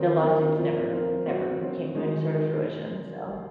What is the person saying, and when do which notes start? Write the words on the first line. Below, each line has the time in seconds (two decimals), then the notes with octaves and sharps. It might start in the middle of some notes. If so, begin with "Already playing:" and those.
the lawsuits never f never came to any sort of fruition. So
Already playing: D#3 F#3 C4 D#4 A#4
0.23 D#3 F#3 C4 D#4 A#4
0.57 F3 C4 F4 A#4
0.91 F3 C4 F4 A#4
1.26 F#3 C4 F#4
1.60 F#3 C4 F#4
1.95 D#3 G#3 D#4 F#4